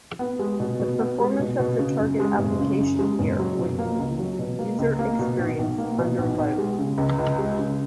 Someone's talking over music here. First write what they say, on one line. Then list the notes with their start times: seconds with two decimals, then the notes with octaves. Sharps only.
The performance of the target application here would be the User Experience Under Load.
0.19 B3
0.39 G#3
0.60 B2
0.79 B2
1.00 B3
1.19 G#3
1.39 B2
1.59 B2
1.79 C#3
1.99 F#2
2.19 G#3
2.39 F#1
2.59 C#3
2.79 F#2
2.99 G#3
3.19 F#1
3.39 F#3
3.59 B2
3.79 A#3
3.99 C#2
4.19 F#3
4.39 B2
4.59 A#3
4.79 C#2
4.99 A#3
5.19 B2
5.38 B1
5.59 B1
5.78 A#3
5.98 B2
6.18 B1
6.39 B1
6.58 G#3
6.79 C#3
6.98 C#2
7.19 C#2
7.38 G#3
7.58 C#3